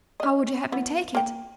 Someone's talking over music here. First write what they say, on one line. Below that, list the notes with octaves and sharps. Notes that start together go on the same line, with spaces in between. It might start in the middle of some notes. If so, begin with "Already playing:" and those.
How would you have me take it?
C#4 D#5
E3 B3
A#3 G5